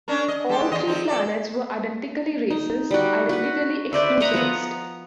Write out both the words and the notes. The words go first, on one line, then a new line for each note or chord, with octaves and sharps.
All three planets were identically racist, identically exclusivist.
C#4 D4 A#4
D#5
G#3 G4 A4
E2 D#5
F3 C4 D#4
A4 D5
D#4
G3 F#4
F#4 B4
B4 C5 D5 E5
D#5 E5 F#5 A#5
F3 B3 F#5 A#5